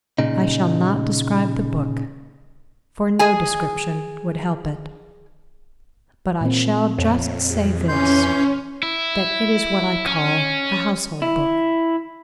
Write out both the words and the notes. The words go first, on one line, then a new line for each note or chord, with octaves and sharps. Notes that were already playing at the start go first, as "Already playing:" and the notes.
I shall not describe the book, for no description would help it. But I shall just say this; that it is what I call a Household Book.
A#2 C#3 D#4
G#4 G#5
A#2 A#3 C4
F2 C#5
G#4
E3 C#4 C6 G6
E4
C#4
E4